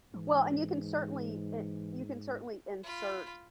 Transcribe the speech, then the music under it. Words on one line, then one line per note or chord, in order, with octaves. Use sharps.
Well, and you can certainly i you can certainly insert
G#2 E3
F4 B5